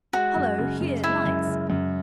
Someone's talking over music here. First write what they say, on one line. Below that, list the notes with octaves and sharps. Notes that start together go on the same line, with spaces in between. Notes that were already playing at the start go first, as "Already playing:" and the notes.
Hollo, here, lights!
G#3 F#4
F#2
C#3
F#2
G#3 E4
F#2
C#3
F#2